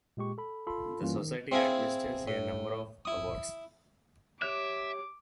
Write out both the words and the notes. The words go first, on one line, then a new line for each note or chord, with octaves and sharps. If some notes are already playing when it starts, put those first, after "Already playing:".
The society administers a number of awards.
A#2 G#3 G4 C#6
A4 B5
F4 A4 B5 C6
E3 G3 A#3 C#4 F4
D#3
C4 E4 G#4 F5 G#5
A2
E4 D#6
G4 C#5 E5 D6 F#6